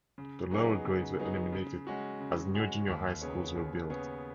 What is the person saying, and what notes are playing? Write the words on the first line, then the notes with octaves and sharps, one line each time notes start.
The lower grades were eliminated as new junior high schools were built.
C#3
F#3 B3 D#4 G#4
C#3
F#3 B3 D#4 G#4
C#3
G#3 C#4 F#4
C#3
G#3 C#4 F#4
D#2
C#3 B3 G#4 C#5
D#2
C#3 B3 G#4 C#5